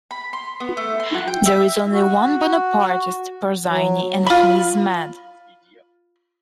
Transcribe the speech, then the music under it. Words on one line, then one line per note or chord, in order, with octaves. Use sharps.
There is only one Bonapartist, Persigny - and he is mad!
B5
C6
B3
A3
C6
F#5
G5
E5
F#4
F#3
F4 B5